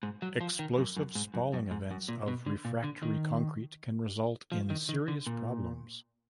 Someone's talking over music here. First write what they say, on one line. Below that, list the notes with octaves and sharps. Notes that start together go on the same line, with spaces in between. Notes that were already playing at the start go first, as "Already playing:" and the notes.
Explosive spalling events of refractory concrete can result in serious problems.
G#2
F#3
F3
D#3
F#2
F#2
G#2
F#2
F#2
G#2
F#2
A#2
B2
D3
A#2
D3
D#3
F3
D#3
D#3
D3
A#2